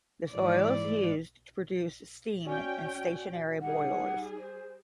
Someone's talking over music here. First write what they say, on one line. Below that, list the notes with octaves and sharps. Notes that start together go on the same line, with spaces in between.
This oil is used to produce steam in stationary boilers.
G#2 E3 D5
C#4 F#4 D5 G5 G#5
G3 D#4 G#4 F#5
C5